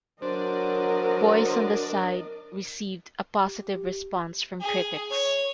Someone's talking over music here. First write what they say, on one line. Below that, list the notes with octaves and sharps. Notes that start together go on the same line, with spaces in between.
"Boys on the Side" received a positive response from critics.
F#3 D4 A#4 C5 D#5
G4
G#4
C#5